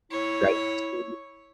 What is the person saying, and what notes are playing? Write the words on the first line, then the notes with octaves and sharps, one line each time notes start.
right, tea
E4 C#5